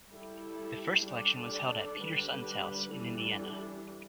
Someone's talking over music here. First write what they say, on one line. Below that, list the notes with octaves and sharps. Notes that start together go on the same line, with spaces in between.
The first election was held at Peter Sutton's house in Indiana.
G3 E4 A4
G3 D4 A4 D5
D3 G3 D4 B4
E3 G3 D4 A4